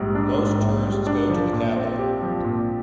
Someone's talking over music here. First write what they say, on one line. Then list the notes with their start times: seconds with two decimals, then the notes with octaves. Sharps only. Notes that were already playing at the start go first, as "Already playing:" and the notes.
Most tourists go to the capital.
Already playing: A#1 G#2 G3
0.15 D4
0.38 G#2
0.61 A#1
0.84 G3
1.07 D4
1.30 F3
1.53 A#2
1.76 C4
1.99 G4
2.22 F3
2.44 A#2